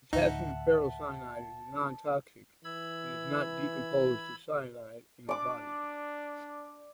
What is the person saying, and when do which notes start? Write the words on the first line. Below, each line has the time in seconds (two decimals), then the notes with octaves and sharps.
Potassium ferrocyanide is nontoxic, and is not decomposed to cyanide in the body.
0.13 D2 A2 D3 D#4 E5 F#5 A5 C#6
2.64 E3 B5 E6 G#6
5.29 D4 D5 D6